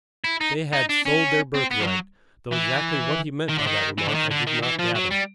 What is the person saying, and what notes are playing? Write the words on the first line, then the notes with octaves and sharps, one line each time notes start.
They had "sold their birthright," though exactly what he meant by that remark I did not gather.
E4
D#4
D#4
D4
C#4
C4
B3
F3
F#3
E3
D#3
D3
D#3
E3
D3
D#3
D3
D#3
E3
F3
F#3
G3